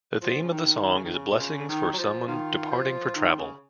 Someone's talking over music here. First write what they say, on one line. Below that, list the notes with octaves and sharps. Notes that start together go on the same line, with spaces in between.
The theme of the song is blessings for someone departing for travel.
F3
C#3
D#3
C#3
D#3
C#3
B2
C#3 F4 F5
D#3
D#4 D#5
F#3
F3
D#3 F4 F5
F3
D#3
C#3